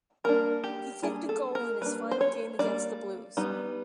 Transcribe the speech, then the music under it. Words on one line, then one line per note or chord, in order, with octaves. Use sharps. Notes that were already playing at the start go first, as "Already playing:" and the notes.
He kicked a goal in his final game against the Blues.
G3 A#3 D4 A#4
G4
G3 A#3 D4 G#4
A4
A#4
G3 A#3 D4 B4
C5
C#5
G3 A#3 D4 D5
G3 B3 D#4